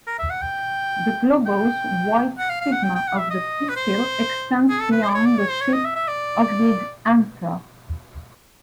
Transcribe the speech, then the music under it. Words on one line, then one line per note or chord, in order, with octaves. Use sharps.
The globose white stigma of the pistil extends beyond the tip of the anther.
A#4
E5
F#5
G5
G5
F#5
F5
F5
F#5
G5
G5
F#5
E5
D#5
B4
C5
G#4
A4
B4
C5
D5
C#5
D5
C#5
C5
C#5
D#5
E5
E5
D5